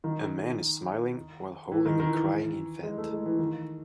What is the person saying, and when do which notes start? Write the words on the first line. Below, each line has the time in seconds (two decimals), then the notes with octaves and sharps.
A man is smiling while holding a crying infant.
0.04 D#3
1.71 E3
1.86 D#3
2.00 D#3
2.13 E3
2.83 G#3
2.98 A3
3.11 G#3
3.26 E3
3.39 D#3